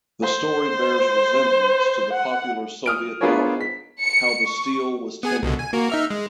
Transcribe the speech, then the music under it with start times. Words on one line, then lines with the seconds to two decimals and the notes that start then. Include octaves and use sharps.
The story bears resemblance to the popular Soviet novel "How the Steel Was Tempered".
0.22 C5
2.13 F#5
2.86 D#6 F6 D7
3.21 B3 D4 F4 G#4 A#4 C#5
3.61 B6
4.03 C#7
4.44 C#6
5.23 B3 G#4 G#5
5.43 C2 B2 D3
5.59 G#5
5.73 A#3 F#4 A#4
5.90 D#4 E5 F6
6.10 G#3